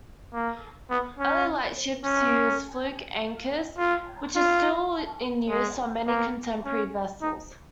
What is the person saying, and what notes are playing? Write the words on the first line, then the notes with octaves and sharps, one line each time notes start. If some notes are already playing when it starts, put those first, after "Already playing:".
Early lightships used fluke anchors, which are still in use on many contemporary vessels.
A#3
B3
C#4
C#4
F4
F4
G#3
A#3
C#4
D#4